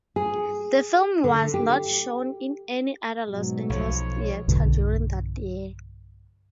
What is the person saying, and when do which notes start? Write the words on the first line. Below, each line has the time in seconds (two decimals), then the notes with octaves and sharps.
The film was not shown in any other Los Angeles theater during that year.
0.16 G#4
1.24 D3
1.54 G4
3.29 G#2 B2 F#3
3.70 B1 F3 C#5
4.48 B1 G2 B2 D3